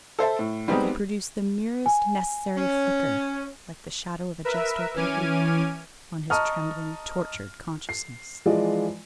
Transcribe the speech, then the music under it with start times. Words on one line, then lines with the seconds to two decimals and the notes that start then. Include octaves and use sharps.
I could produce the merest necessary flicker, like the shadow of a just-opened leaf, on his trembling, tortured consciousness.
0.19 A4 C5 E5 A5
0.39 A2
0.68 G3 G#3 B3 C4 D#4 G4
1.86 G#5
2.56 C#4
4.45 A#4 B4 E5
4.95 E3 C#4 G#5 D6 F6 D#7
6.30 D#5 A5 A#5 C#6 D#6 F6
7.89 C7
8.46 E3 F3 G#3 F4 D5 D#5